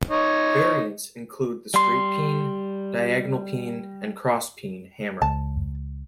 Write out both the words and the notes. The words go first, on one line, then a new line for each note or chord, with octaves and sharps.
Variants include the straight-peen, diagonal-peen, and cross-peen hammer.
D#4 C#5
G3 C6
C#2 A5